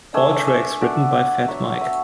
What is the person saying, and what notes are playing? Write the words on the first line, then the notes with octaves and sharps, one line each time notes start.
All tracks written by Fat Mike.
A3 D4 E5 G#5
E5 G#5
A3 D4 D5 F#5
F#3 B3 D4 C#5 E5
C#5 E5